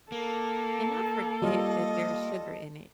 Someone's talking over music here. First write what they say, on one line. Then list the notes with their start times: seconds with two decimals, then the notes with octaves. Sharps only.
and I forget that there's sugar in it
0.12 A#3 A4
1.42 G3 F4 D#5